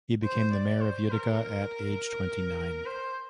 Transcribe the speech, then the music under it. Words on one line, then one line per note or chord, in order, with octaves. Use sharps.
He became mayor of Utica at age twenty-nine.
C5
D5
C5
A#4
C5